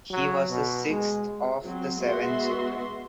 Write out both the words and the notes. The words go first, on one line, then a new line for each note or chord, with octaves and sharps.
He was the sixth of seven children.
F#3
B2
G#3
F#3 C4
G#3 B3 F#4 E5 C6